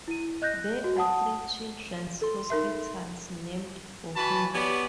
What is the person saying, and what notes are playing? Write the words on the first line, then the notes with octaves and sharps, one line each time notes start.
There are three children's hospitals named for him.
E4 D#7
D#5 F#6 G6 A#6
F#4
F#5 A5 D#6
A4 C6
D#4 A#4 E5
E3 F#4 A5 B5
B3 G4 C#5 D5 G#5